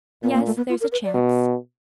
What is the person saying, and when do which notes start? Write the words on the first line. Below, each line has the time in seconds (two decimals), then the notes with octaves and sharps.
"Yes, there's a chance."
0.23 A#2 B3
0.34 A#3
0.46 A3
0.57 B3
0.69 F4
0.80 A#4
0.92 B4
1.04 D5
1.14 B2